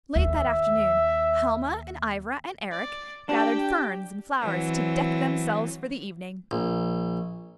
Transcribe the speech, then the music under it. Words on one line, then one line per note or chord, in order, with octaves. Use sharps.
Late that afternoon Helma and Ivra and Eric gathered ferns and flowers to deck themselves for the evening.
D#2 E5
D5
D4 G4 G5
E3 F#3 C4
A#1